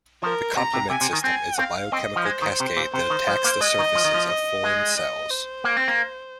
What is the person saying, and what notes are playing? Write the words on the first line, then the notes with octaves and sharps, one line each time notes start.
The complement system is a biochemical cascade that attacks the surfaces of foreign cells.
F3 A#4
C3 A#5
C3
C3 G#5
C3
D#3
C4 G#5
C4 F5
C4 D#5
F3
G#3 C5
D#3
C3
A#2
C3 C5
D#3
F3
A#3
G#3 D#5
D#3
F3
D#3
F3
D#5
G#3
D#5
C5
A#3
C4
A#3